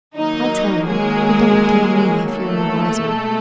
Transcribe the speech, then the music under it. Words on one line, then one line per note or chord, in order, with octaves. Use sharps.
I'll tell you, but don't blame me if you're no wiser.
D#3 F#3 A#3 D#4
G#3 G#4
A3 A4
B2 G#3